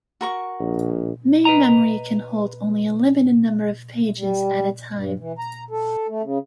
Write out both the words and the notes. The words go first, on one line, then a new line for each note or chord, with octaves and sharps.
Main memory can hold only a limited number of pages at a time.
F#4 A#4 C#6
A#1
B4 D#5 A#5
G3
G2
E3
A#5
A4
A3
C#3